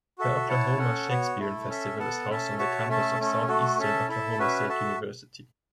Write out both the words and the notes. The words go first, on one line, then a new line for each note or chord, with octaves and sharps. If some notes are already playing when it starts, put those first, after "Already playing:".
The Oklahoma Shakespearean Festival is housed on the campus of Southeastern Oklahoma State University.
F#4 A4 E5
E4 C#5 F#5 A5
C#4 A4 F#5
B3 F#4 C#5
A3 E4 A4
C#4 A4 E5
B3 A4 F#5 A5
C#4 A4 E5 A5
F#4 C#5 E5 A5
A3 C#4 A4 E5 A5
A3 C#4 A4
A3 F#4 A4
C#4 A4 E5 A5
E4 A4 E5 A5
C#4 F#4 B4 E5
F#4 A4 E5 A5